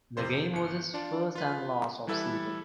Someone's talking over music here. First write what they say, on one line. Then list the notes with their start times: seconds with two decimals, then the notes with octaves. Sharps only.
The game was his first and last of season.
0.17 F2 C3 C5 C6
0.53 G1 C#7
0.94 D4 F4 D5 A5
1.35 F4 B4
2.07 E3 G3 E4 A4 B4 E5